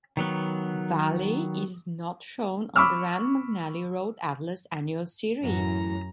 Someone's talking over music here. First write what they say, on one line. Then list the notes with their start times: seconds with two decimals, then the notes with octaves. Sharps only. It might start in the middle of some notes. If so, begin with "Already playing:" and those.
Valle is not shown on the Rand McNally Road Atlas annual series.
0.17 D#3 F#3 B3
2.76 B5 C#6 D6 E6 F6
5.43 F#2 A2 E3 F#3 A#5